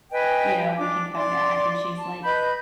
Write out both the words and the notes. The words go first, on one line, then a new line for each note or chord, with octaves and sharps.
you know, we can come back." And she's like,
B4 D#5 G5 G#5
D4 D6
D5 C6 D6
A5
B4 D#5 B5 G6